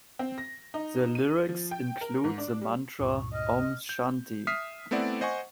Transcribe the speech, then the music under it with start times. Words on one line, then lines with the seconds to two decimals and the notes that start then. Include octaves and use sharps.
The lyrics include the mantra Om shanti.
0.19 C4
0.38 A#6
0.74 D#4
1.15 D#7
1.49 F3
1.71 G5
2.01 A#4
2.24 G#2
2.38 D4
2.61 G3
3.00 C#2 G2 A#2 C#6
3.34 D#5 F6
3.89 G6
4.47 E5 D#6 F6 B6 C7
4.91 A3 B3 C4 E4 D5 F#5
5.21 C5 D#5 F#5 G#5 C#6